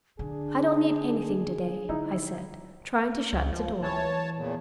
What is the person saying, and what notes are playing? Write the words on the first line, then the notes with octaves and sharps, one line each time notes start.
"I don't need anything to-day," I said, trying to shut the door.
D3 D4 G#4
D3 D#4 E4
C#2
F3
E3 C#5 A5
E2 A#2